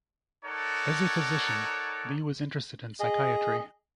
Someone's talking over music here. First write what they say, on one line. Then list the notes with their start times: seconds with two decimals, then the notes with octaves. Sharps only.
As a physician, Li was interested in psychiatry.
0.45 D#4 A4 A#4 C#5 D5 F#5
3.00 G#4 D#5